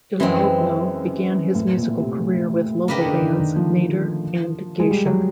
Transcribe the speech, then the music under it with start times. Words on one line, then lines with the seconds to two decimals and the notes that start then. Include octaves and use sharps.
Delaoglou began his musical career with local bands Nadir and Geisha.
0.20 F#2 E3 G#3 C4
1.55 A2
1.77 A#2
2.00 C3
2.88 C#3 A#3 D4 G4 B4 D#5
3.06 D3
3.22 D#3
3.39 D#3
3.56 F3
4.80 G#3
4.90 G3
5.06 F#3